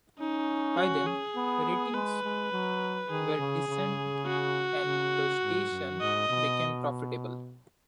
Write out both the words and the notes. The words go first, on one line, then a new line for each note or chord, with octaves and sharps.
By then, ratings were decent and the station became profitable.
C#4 D#4
F#4
G#4
B3
G#3 B4
G#3
F#3
D#3 G#4
C#3
C#3
F#4
C#3
G#2
F#2
G#2 D#5
B2